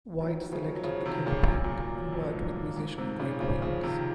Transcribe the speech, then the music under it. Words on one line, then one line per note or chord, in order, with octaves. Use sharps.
White selected the color pink, and worked with musician Greg Weeks.
D#3 F#3
C#3 F3
F#3
C#3 F3
C3 D#3
A#2 C#3
F#2 A#2
F#2 A#2
F#2
F#2
F2
G#2
F#2
F2 G#2
G#2 C3
A#2 C#3
C#3 F3
C#3 F3
C3 D#3